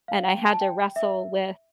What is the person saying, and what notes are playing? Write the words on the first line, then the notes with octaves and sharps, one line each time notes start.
and I had to wrestle with
F5
G5
A5
A5
G5
E5